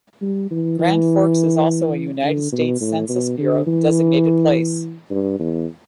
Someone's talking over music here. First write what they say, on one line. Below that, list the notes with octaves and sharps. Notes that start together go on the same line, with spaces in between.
Grand Forks is also a United States Census Bureau designated place.
G3
E3
E3
D3
B2
A2
B2
D3
E3
G2
E2